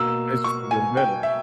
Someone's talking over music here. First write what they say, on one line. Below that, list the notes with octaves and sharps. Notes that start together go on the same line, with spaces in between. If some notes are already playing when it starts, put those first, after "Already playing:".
replaced with something better
Already playing: B2 A#3 E6
C#6
G#5
G5
E5